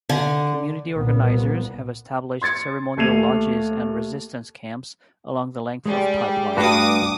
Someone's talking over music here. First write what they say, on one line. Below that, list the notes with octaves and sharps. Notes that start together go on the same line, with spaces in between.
Community organizers have established ceremonial lodges and resistance camps along the length of pipeline.
D3
C2 A#2 B3
C6 G#6 A6 C#7
D#2 A3 G#6 C7 D#7 F7
G3 G#3 G#4
G2 A3 D4 F#4 B4 F5 D6 D#6